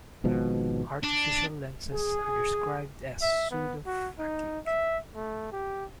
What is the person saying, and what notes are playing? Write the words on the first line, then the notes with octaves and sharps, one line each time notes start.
Artificial lenses are described as pseudophakic.
G#1 G#2 B2 F3
D4
G#4
E5
B3
F#4
D#4
E5
A3
G4